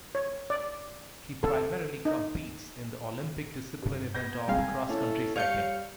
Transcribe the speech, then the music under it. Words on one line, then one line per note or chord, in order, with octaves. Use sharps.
He primarily competes in the Olympic discipline event of cross-country cycling.
C#5
D5
A4
D#4
G2
B3 G6 G#6 A#6
C3 G3 G#3 F5 G#5
C#4 E4 A4
G3 C#5 F5 G6 C#7 F7